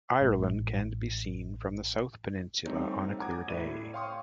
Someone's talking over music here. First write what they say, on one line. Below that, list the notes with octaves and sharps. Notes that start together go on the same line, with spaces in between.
Ireland can be seen from the south peninsula on a clear day.
A1 A2 G#3
G3 A3 C4 D#4 C#5
F#5 G#5 A#5 D6 D#6 G#6
A2 E4 D5 D#7
C#5 F5 G5 C6 C#6 D#6